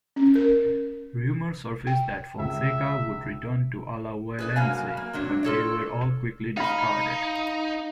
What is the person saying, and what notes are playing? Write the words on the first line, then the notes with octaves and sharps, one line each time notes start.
Rumors surfaced that Fonseca would return to Alajuelense, but they were all quickly discarded.
C#4
A#4
G5
C#2 E5
G#4 B4 D5
G2 F#3 A#3 F5 G#5
A#3
C3 F#3 D4
F4 A4 C#5 D5
D#4 F5 B5